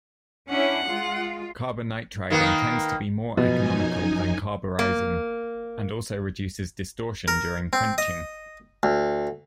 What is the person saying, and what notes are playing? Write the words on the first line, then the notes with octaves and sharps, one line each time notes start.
Carbonitriding tends to be more economical than carburizing, and also reduces distortion during quenching.
C#4 D4 E4 F#5
G#3 F4
D#3 A#3 B3
F#2 B2 F3 D#4 G#5
A#3
A#4
C4
D#5
D2